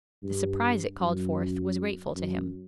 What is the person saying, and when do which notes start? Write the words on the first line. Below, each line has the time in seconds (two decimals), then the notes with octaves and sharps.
The surprise it called forth was grateful to him.
0.23 G2
1.00 F#2
2.16 F#2